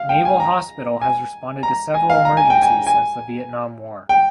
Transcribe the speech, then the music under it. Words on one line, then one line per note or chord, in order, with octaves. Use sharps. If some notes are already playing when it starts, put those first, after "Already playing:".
Naval Hospital has responded to several emergencies since the Vietnam War.
Already playing: F5
G5
G#5
A#5
G#5
A#5
G#5
F5
A#5
G#5
G5
G#5
G#5
G5